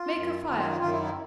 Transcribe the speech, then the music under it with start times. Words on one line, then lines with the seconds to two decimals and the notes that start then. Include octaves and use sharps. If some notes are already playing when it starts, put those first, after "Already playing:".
Make a fire.
Already playing: F4
0.15 F#2 D#3
0.48 F#2 D#3 F4
0.59 F4
0.70 F4
0.81 F#2 D#3 F4
0.92 E4
1.03 E4